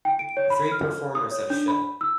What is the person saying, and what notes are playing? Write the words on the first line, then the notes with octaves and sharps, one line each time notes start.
Three performers at a show.
G5
D7
C#5
B5
F6
D#6
C#5
D4
B5
E6